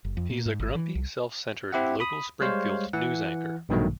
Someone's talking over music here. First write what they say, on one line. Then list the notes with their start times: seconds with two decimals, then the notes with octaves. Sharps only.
He is a grumpy, self-centered local Springfield news anchor.
0.05 F#1
0.17 F2
0.29 A#2
0.46 G#2
0.60 G#1
0.75 E3
0.95 C2
1.72 C4 E4 G4 E5 F#5
2.00 B5 D#6
2.41 G3 G#3 C5 C#5 F5
2.93 E3 F#5
3.69 A#1 G2 B2 D#3 F#3 A3